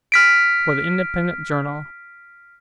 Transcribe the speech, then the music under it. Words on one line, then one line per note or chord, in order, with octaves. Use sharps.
For the Independent Journal.
F6 B6 D7